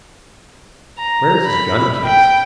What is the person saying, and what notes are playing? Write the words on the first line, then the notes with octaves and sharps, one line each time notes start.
Where is his guncase?
A#5
B5
G5